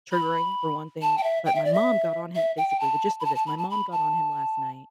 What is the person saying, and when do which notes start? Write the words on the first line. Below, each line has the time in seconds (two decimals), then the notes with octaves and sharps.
triggering for one thing, but my mom got on him basically, the gist of this, my mom got on him last night,
0.12 B5
1.02 A5
1.18 G5
1.23 E5
1.46 G5
1.55 E5
1.65 D5
1.74 E5
2.36 E5
2.58 G5
2.69 G5
2.80 A5
3.20 B5
3.25 A5
3.36 A5
3.47 B5
3.58 A5
3.70 B5
3.92 A5